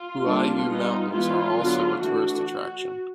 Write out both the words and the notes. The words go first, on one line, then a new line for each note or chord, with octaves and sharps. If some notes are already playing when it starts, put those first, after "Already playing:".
Huaiyu Mountains are also a tourist attraction.
Already playing: F4
D3 G3 A#3 D4
G3 B3 D#4
E3 G#3 B3 E4 F4
D3 F#3 B3 D4
E3 A3 D4 F#4